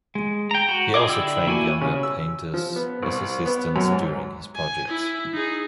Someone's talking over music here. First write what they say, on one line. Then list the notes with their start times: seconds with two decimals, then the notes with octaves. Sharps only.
He also trained younger painters as assistants during his projects.
0.15 G#3
0.51 G5 A#5
0.69 F#4
0.94 F4 G4 G#4 D#5 D6
1.07 D3 E4 D5 G5 E6
1.47 A#3 E4 F#4 G4 G#5
1.81 C#3
2.03 E6
2.54 F3
2.76 B3
3.03 C2
3.46 B3
3.76 F#2
3.92 G#2
4.56 G#5
4.88 E4
5.33 D#4 G#4